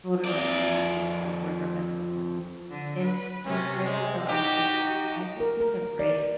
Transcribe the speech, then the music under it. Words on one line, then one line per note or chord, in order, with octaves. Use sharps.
told her, like, "Hey," and, like, where her mental health was in, like, risk, so I was like, "You might just need a break."
F2 D5
D3
B4
C3 C#4
G#3
D#4 F#4 G4
A#4
A#4
D5